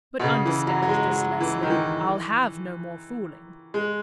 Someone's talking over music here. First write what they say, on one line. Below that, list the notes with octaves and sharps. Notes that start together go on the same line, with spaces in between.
But understand this, Leslie, I'll have no more fooling.
B2
C#3
E3
F#3
F#3
G#3
F#3
E3
D#3
E3
G#3